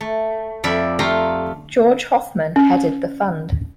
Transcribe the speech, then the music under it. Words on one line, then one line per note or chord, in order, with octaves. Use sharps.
George Hoffman headed the fund.
A3
F2 D5 E5 B5
A3 F4 G4 F5 A#5
C#4